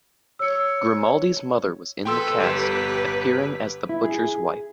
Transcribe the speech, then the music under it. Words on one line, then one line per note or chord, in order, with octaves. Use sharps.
Grimaldi's mother was in the cast, appearing as the Butcher's Wife.
C#5 E6 C#7
A4 B4 G5 C6 E6
G1 G4 B4 E7
E4
G#4